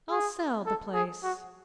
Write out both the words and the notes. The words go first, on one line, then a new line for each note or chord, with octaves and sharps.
"I'll sell the place."
G#4
A4
G#4
F#4